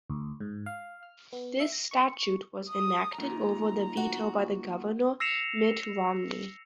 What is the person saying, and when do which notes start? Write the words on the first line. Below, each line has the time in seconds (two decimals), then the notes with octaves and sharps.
This statute was enacted over the veto by the Governor, Mitt Romney.
0.10 D2
0.40 G#2
0.66 F5
1.03 F6
1.33 B3
1.60 E5
1.72 A#6
1.91 C#6
2.70 D#6
3.18 F#2 A#2 D#3 A#5
3.97 F#4
5.20 E6 A#6 C7 C#7 E7 F7